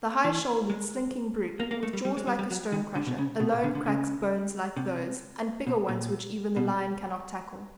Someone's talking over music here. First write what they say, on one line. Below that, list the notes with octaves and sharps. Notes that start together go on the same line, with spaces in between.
The high-shouldered slinking brute, with jaws like a stone-crusher, alone cracks bones like those and bigger ones which even the lion cannot tackle.
E3
G#3
A#3
A#3
A3
G3
G3
G#3
G3
G3
F#3
D#3
D3
B2
C#3
B2
A#2
D3
D3
C#3
C3
B2
A#2
B2